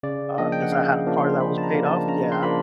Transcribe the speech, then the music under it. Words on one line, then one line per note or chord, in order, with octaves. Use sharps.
uh, 'cause I had a car that was paid off yeah,
C#3 D5
F3 A#3 D4 D#5
G5
F#5
C#3 F5
F3 A#3 D4
C6
C#3 B5
A5
A#5
F3 A#3 D4
A5
C#3 A#5
C6
F3 A#3 D4 B5